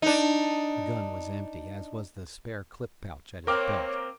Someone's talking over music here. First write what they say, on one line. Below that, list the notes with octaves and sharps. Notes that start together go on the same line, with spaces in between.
The gun was empty, as was the spare clip pouch at his belt.
D4 D#4
A#3 C4 A#4 C#5 G5 D6 F6